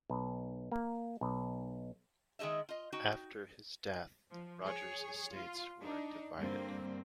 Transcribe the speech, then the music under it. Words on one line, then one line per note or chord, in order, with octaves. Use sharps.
After his death, Roger's estates were divided.
B1
A#3
B1
D#3 G#3 G#4 D#5 E5
F4 D#5
D#4 F#4 G5
F3
G#4 C#5
F4
D4 D#4
G2 D3 G3 A#3 C4